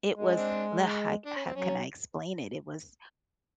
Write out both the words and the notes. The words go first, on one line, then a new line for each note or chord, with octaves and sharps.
it was the how how can I explain it? It was
G#3
C#4
C4 D4
D4
C#4
C4
F#3 C#4